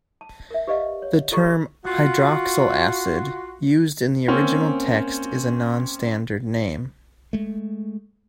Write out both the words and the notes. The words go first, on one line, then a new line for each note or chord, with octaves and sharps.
The term "hydroxyl acid" used in the original text is a non-standard name.
A5
A#4 E5
G4 B4 D5 D#5 F5
C#5
F4 G4 A4 D5 A#5 C#6
F4 F#4
A#3 C4 C#4
G#3 A3